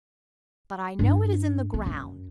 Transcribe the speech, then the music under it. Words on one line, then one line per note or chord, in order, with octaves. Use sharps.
But I know it is in the ground.
G2 D4
D#3 B3
F#2